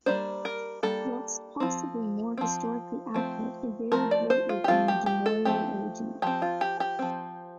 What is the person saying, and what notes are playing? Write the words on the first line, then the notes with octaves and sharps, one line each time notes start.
Whilst possibly more historically accurate, it varied greatly from the Du Maurier original.
G3 A#3 D4 C5
A#4
G3 A#3 D4 A4
F3 C4
F3 C4
F3 A3 C4
F3 A3 C4 A#4
D5
C5
F4
G4
F3 A3 C4 F4
G4
G4
A4
F3 A3 C4 G4
F3 C4 G4
F4
G4
G4
F3 C4